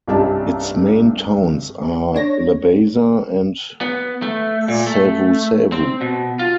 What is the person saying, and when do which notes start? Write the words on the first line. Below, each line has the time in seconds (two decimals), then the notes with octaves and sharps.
Its main towns are Labasa and Savusavu.
0.07 C2 G2 C#4 G4 D#5 A5
2.14 D4 C#5 A#6
3.81 B3
4.22 A3
4.68 A#2
4.87 A3
5.72 C4
6.01 B2
6.39 F4